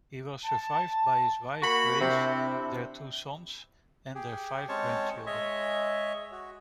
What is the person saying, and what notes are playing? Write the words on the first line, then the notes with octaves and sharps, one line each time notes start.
He was survived by his wife Grace, their two sons, and their five grandchildren.
A5
A#3 F#4 B5
C3 C4 D4 E4
G4 G#4
G#3 C4 C#4 C#5 A5 C#6
G#3 C#5 D#5 E5
F#4